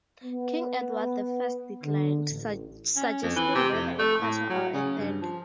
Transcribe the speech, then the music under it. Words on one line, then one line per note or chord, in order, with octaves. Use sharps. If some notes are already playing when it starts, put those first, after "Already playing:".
King Edward the First declined, suggesting rather a quarter or a third.
B3
D3
A1
C#4
F2
E3
C3
F2
A3
A2
F#3
C#3
G2
F3